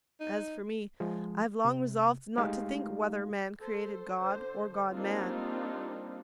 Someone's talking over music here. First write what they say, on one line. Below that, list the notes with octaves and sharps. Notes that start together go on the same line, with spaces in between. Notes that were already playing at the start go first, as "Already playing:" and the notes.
As for me, I've long resolved not to think whether man created God or God man.
D#4
F3 G#3
C3
G#3 A3 D#4 G4 F5
A4 C5
D3 C5
G3 A#3 C4 D4 D#4 F4